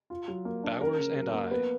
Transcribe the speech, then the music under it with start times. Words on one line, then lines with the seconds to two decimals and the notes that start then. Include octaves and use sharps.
Bowers and I.
0.10 F4
0.28 F#3
0.45 A#3
0.64 D4
0.80 C#4 A#4
0.98 C#3
1.16 F#3
1.34 A#3
1.51 B3 B4